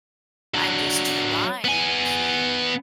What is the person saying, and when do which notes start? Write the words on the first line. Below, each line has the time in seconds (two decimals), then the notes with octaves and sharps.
I'm just trying to,
0.54 F#3 D4
1.64 B3 G#5